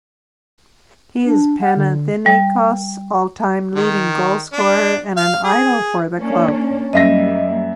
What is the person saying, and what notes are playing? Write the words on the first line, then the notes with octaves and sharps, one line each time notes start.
He is Panathinaikos' all-time leading goalscorer and an idol for the club.
D4
F#5
D3
G3
D#3
D4
F5
G#4
A#3 C#4 D4
F#2 G3 A#3 D#5 E5 A#6